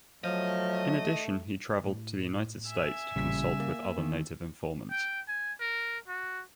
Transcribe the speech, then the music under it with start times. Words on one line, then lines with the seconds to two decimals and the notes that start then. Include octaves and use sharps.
In addition he traveled to the United States to consult with other native informants.
0.24 F3 F#3 A3 D#5
1.85 A2
2.69 E5 G#5
3.16 A1 A#2 C#3 G3 B6
3.60 A#3
3.98 D#3
4.91 G5
5.28 G#5
5.60 A#4
6.08 F#4